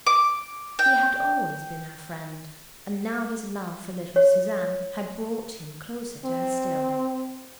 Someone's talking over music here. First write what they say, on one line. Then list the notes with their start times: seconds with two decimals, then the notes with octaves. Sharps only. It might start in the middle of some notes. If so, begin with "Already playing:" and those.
He had always been her friend, and now his love for little Suzanne had brought him closer to her still.
0.07 D6
0.79 G5
4.16 C#5
6.25 C4